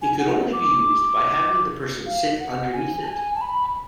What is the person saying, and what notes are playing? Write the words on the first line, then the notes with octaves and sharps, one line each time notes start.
It could only be used by having the person sit underneath it.
G#5
F#5
D6
F5
F#5
G#5
A5
G#5
A5
B5